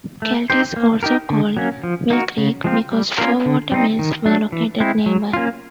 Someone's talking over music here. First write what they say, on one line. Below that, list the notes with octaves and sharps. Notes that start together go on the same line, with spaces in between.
Celt is also called "Mill Creek" because four water mills were located nearby.
A3
C4 D#4 G4 C5
A#3
D#4 G4 A#4
D3
F#3 A#3 C#4
F3
A#3 D#4 F#4 A#4
C#3
F3 G#3 C4 F4
G3
A#3 C#4 F4 A#4
D3
G3 C4 D#4
D#3
F#3 A3 D4
E3
G#3 C4 E4
F#3
A#3 C#4 F4